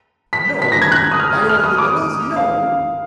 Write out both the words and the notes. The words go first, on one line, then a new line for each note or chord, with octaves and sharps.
"No! By all the devils, no!"
B6
B6
A#6
G#6
F#6
D#6
F6
F6
D#6
D6
F5